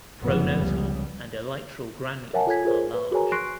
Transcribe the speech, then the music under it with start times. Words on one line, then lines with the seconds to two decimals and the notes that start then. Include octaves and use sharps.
Pronotal and elytral granules are large.
0.22 F1 F#2 C3 E3 B3
0.57 C#2 C#3 G3
2.33 A#4 C#5 E5 F#5 G#5 A5
2.47 F4 A4 C#5 G#5 G#6 B6
2.65 F4 G#4 A#4 C5 C#5
2.94 B4
3.11 F#4 G#4 A#4 C#5 G#5 A#5
3.32 C6 C#6 F#6 A#6 C7 D7